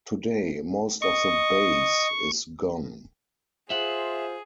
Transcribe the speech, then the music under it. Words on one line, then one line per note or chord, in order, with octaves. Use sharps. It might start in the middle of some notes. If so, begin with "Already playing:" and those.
Today, most of the base is gone.
D#5 C#6
F4 G#4 C5 E5 F#5